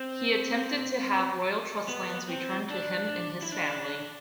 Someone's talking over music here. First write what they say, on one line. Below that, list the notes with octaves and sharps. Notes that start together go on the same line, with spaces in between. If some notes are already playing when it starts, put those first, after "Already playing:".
He attempted to have royal trust lands returned to him and his family.
Already playing: C4
B3
C4
D4
E4
D4